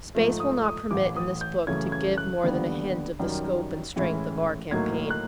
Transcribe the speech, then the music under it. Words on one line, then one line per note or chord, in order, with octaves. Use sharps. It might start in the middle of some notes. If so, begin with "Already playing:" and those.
Space will not permit in this book to give more than a hint of the scope and strength of our campaign.
G#2 F3 A3
D#6
D#6
A1 A2 E3 D6
D#6
G6
F#2 C#3 E3 A3 C#4 G#6
G#6
F#6
D#2 D3 G3 B3
F#2 D#3 G3
A2 E3 G#3 C#4 E4
A2 F#3 A#3 D#4 G#6
F#6